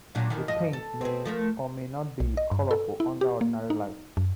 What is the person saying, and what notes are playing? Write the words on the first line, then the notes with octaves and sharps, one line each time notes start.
The paint may or may not be colorful under ordinary light.
A#2 F#3 D4
F2 D#3 E3
G2 F3 D#5
A4
C4 G#4
F3 A3 A#4
B1
D#5
G2
A4
E4
G4
A#3
D#4
F#2